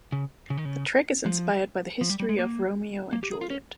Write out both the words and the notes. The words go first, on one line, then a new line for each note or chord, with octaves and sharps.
The track is inspired by the history of "Romeo and Juliet".
C#3
C#3
D#3
C#3
F3
F3
G3
G3
G#3
A#3
A#3
G4
G#4
F4
C#4